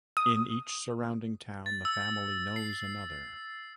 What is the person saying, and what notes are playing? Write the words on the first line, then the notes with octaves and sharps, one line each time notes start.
In each surrounding town, the family knows another.
D#6
A6
E6
C7